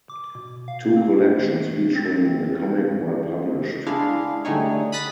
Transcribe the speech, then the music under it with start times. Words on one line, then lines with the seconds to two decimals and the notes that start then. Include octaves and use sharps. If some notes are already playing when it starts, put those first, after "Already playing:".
Two collections featuring the comic were published.
0.10 D6
0.35 B2
0.68 F5
0.96 C4
1.38 D#3
1.54 A3
1.95 C4
3.86 G#3 D4 E4 G#4 F5
4.45 D3 G3 A3 D#4 G#4 C#5
4.92 B5 D#6 F#6 A6 B6